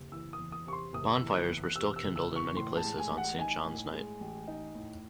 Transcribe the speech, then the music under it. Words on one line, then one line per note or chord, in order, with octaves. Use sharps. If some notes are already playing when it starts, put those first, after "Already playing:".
Bonfires were still kindled in many places on St. John's Night.
Already playing: F#1 C3
E3 E6
D#6
E2
D#6
C3 C#6
C6
F#1 D#6
E6
E3
F#6
E2
F#6
C3 E6
E6
F#1
E6
E3
C#6
A2 C6
A5
G#3
G#5
A1
F#5
D#4 G#5
A2
G#3
A1
D#4
A2